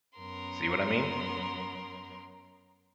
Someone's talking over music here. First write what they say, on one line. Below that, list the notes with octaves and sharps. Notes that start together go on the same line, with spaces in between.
See what I mean?
F#2 B3 A#4 C6